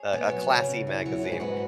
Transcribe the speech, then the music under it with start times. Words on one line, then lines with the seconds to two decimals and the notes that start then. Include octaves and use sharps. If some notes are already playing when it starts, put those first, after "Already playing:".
a a classy magazine.
Already playing: G#4 C#5
0.13 B3
0.31 F#3
0.50 C#3
0.68 C#3
0.87 E4
1.06 F#3
1.24 G#2 B4
1.32 G#4
1.40 G#2 F#4 B4